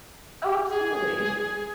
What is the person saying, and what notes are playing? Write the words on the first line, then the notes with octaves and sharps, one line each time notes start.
Oh, absolutely.
G#4